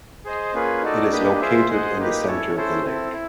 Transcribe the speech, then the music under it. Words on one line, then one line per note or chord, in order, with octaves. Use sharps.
It is located in the center of the lake.
G#4 C5 D#5
A#3 C#4 F4 G#4 B4
D#4 F#4 A4 D5
A#3 D4 G4 B4 D#5
F4 G#4 C5 E5
G#4 C5 D#5 F#5
A#3 D#4 G4 B4
C#4 E4 A4 C#5
C#4 E4 A4 C5
C4 E4 A4
E4